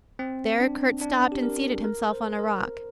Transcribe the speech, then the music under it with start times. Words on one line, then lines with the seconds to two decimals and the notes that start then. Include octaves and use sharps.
There Kurt stopped and seated himself on a rock.
0.19 C4
0.60 D4
1.01 D4
1.32 G4
1.43 A#4
1.84 A#4
2.12 C5
2.39 A#4